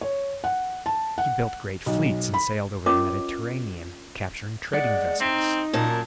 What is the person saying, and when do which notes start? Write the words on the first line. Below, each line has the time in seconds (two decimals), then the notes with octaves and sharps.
He built great fleets and sailed over the Mediterranean, capturing trading vessels.
0.01 C#5
0.44 F#5
0.86 A5
1.18 F#5
1.86 B1
2.34 B5
2.86 C#4 F4 A#4 C#5 D#5 D6
4.73 G#3 D5 F#5
5.20 C4 D#4
5.73 F#2 A#2 A#4 A5